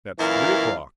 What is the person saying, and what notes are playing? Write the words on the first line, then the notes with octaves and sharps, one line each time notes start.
That's three o'clock.
F#2 A#2 E3 E4 A#4 F5